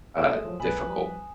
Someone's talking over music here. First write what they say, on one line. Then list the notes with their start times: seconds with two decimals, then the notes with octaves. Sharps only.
uh, difficult.
0.16 G#3 A3 D#6 E7
0.45 F3 F#3
0.60 B1 G#3 B4 G#5 B5
0.85 F3 G3